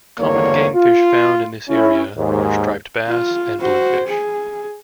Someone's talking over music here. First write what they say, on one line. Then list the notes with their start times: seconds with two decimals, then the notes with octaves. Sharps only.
Common game fish found in this area are striped bass and bluefish.
0.19 G#1 E2 G2 D3 A#3 C#5
0.75 F4
1.69 C#4 E4
2.17 D#2 G#2
3.07 F4
3.60 F#4 C5
4.08 G#4